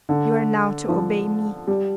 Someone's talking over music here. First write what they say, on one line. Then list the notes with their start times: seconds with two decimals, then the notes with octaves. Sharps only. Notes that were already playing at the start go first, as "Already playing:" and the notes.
You are now to obey me.'
0.09 D3
0.89 F3
1.68 G3